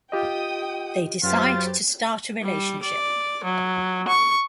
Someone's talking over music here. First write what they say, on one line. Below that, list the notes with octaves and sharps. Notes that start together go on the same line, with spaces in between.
They decide to start a relationship.
F4 G4 D#5 G5 D#6
F#2 F#3 F4 G4 B4 C5 A6
G3
D5
F#3
C#6